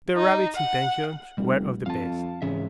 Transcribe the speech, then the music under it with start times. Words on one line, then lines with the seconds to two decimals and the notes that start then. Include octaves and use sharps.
Peter Rabbit's intentions were of the best.
0.16 D#4
0.56 F#5
1.38 F1 G3
1.86 F2 F5 A5
2.42 G#2 C#3 E3 E5